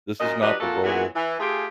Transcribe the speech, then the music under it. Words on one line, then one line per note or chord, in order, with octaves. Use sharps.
this is not the role
F#2 A#2 A#4 D#5
F3 F#3 D4 G4 B4 D#5
A#2 F#3 F4 F#4 A4
A#2 E3 F#3 B3 F#4 G#4
E3
A3 F4 G4 G#4